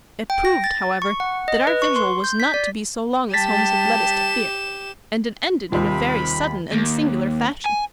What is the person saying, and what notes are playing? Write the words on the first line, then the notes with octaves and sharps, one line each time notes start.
It proved, however, that our vigil was not to be so long as Holmes had led us to fear, and it ended in a very sudden and singular fashion.
G5
A#6
A6
C#6
F#5
D#5
B4
C#6
C6
G6
B6
D5
G3 G4 G5 A5 A6 B6 E7
D#2 C3 G3 D#4 F4 B5
D#2
G#5